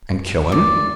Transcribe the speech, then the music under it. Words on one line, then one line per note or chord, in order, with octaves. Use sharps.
"And kill him?"
D5